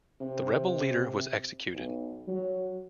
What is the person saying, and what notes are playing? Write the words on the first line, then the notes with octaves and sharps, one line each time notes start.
The rebel leader was executed.
C3
B1
F#3